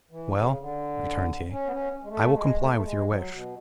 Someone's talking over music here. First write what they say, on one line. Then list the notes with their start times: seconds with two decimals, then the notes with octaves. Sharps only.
"Well," returned he, "I will comply with your wish."
0.11 E3
0.36 C#3
0.60 D3
1.52 C#4
1.66 B3
1.72 C#4
2.03 G#3
2.09 A3
2.33 G#3
2.58 A3
2.72 A3
2.83 G#3
3.07 F#3
3.32 B2